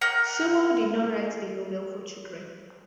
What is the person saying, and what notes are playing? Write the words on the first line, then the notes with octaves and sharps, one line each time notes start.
Sewell did not write the novel for children.
A#4 F#5 G6